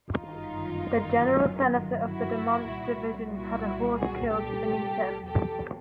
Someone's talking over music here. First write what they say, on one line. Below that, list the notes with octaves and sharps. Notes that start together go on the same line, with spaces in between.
The general senator of the Demont division had a horse killed beneath him.
G1 F#2 D#3 F#3 D#4 F4
E4 F#4
C2 A#2 G3
E4 F#4
F#4 G#4
G4 A4
E2 B2 F#3 G4 A4